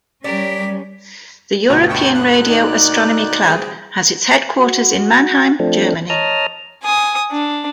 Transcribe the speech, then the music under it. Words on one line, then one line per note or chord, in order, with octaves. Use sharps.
The European Radio Astronomy Club has its headquarters in Mannheim, Germany.
G3 C#4 G4 A#4 D5 B6
D2 G2 B2 F4
D#5 E5 G5 C#6
F5 F#5 F#6
D#3 A#3 D#4 F#4 D5
G3 C4 G#4
F#4
F3 A3 C4 D4
C#5 D#5 A5 A#5 D#6 F6
G#5 D#6
D4